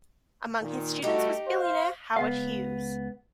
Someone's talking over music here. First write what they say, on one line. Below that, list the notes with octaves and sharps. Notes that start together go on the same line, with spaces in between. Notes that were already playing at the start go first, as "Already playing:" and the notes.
Among his students was billionaire Howard Hughes.
A#2 D#3
G3 A3 D#4 F#4 G4
C5 F5
C#2 B3 F5